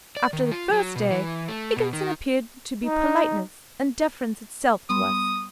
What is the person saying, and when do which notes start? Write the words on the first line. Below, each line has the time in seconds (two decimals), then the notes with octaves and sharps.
After the first day, Higginson appeared to be politeness and deference itself to us.
0.17 D5
0.33 D#3
0.52 F4
0.72 F#3
0.96 B2
1.11 E3
1.48 A3
1.76 B2
1.93 D#3
2.85 D#4
4.90 G3 B3 C6 D#6